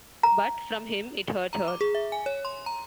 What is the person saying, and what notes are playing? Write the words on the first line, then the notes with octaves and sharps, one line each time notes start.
But from him it hurt her.
A#5
A#5
D6
G#4
E5
G#5
C#5
C6
A#5